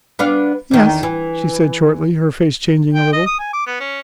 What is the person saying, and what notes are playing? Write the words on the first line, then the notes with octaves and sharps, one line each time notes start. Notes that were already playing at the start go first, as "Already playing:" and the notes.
"Yes," she said shortly, her face changing a little.
B3 D4 F5
E2 D#3
E3
G5
D#5
D#6
G#5
D6
B3
C#4